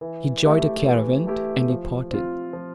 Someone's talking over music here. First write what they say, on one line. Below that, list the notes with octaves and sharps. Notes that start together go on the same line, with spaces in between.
He joined a caravan, and departed.
E3
A3 E4 G4
E3
A3 E4 G4
F3
C4 F4
F3